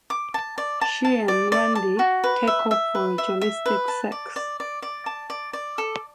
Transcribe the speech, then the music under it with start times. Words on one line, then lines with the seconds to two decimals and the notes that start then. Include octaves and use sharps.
She and Randy take off for ritualistic sex.
0.10 D6
0.34 A5
0.58 D5
0.81 A5
1.05 A5
1.28 D5
1.52 D5
1.75 A5
1.99 F#4
2.24 B4
2.47 E5
2.71 E5
2.95 B4
3.18 E5
3.41 E5
3.66 B4
3.88 A5
4.12 D5
4.36 D5
4.60 D5
4.82 D5
5.06 A5
5.30 D5
5.53 D5
5.78 A4